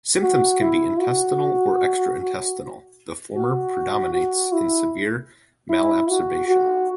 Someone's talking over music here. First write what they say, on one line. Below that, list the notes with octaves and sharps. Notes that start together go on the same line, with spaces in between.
Symptoms can be intestinal or extra-intestinal - the former predominates in severe malabsorption.
F#4
E4
F#4
F#4
F#4
E4
E4
F#4
F#4